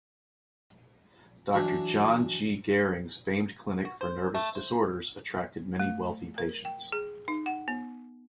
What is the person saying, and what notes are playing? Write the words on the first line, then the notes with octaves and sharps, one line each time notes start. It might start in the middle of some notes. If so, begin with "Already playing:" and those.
Doctor John G. Gehring's famed clinic for nervous disorders attracted many wealthy patients.
E3 F#3 D4 F#4
F#4
C5
A3
C5
A3
A#4
G5
G#4
D#4
F#5
B3